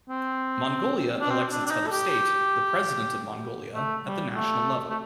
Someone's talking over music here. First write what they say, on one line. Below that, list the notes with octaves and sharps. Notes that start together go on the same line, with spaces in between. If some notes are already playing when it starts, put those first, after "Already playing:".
Mongolia elects its head of state-the President of Mongolia-at the national level.
C4
D4
C4
D4
D4
D#4
A4
G4
A3
G3
A3
A3